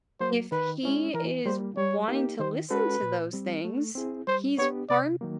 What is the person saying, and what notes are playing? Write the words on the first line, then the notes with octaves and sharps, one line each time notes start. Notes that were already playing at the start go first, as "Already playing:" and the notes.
if he is wanting to listen to those things, he's harming
F#3 A#3 C5
D#3 B4
G#3 C#4 E4
E3 A#4
G3 A#3 C5
G3 C#5
A#3 D#4 G4
D#3 C5
G#3 C#4 F#4 A4 B4
A#2
G3 C4
A3
C4 E4 G#4
G3 C5
B3 D4 G4 C#5
C3 D5
D#3 F#3 A#3